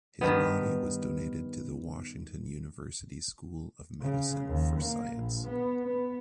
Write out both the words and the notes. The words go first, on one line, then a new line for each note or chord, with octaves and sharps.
His body was donated to the Washington University School of Medicine for science.
G2 D#3 B3
C#3
D#2
A#3
A#1
B3
B3